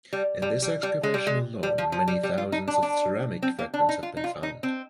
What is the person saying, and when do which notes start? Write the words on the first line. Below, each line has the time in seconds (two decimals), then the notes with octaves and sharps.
In this excavation alone many thousands of ceramic fragments have been found.
0.13 G3
0.42 G3
0.62 G3
0.83 G3
1.03 G#3
1.14 G3
1.27 G#3
1.63 G3
1.78 F3
1.92 F3
2.08 G3
2.23 G3
2.38 F4
2.52 D#4
2.68 D4
2.83 D4
3.42 C4
3.59 A#3
3.74 D4
3.89 D#4
4.03 F4
4.17 D#4
4.24 F4
4.43 D#4
4.63 C4